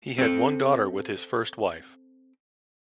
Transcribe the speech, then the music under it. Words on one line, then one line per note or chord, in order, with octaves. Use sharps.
He had one daughter with his first wife.
C4 A4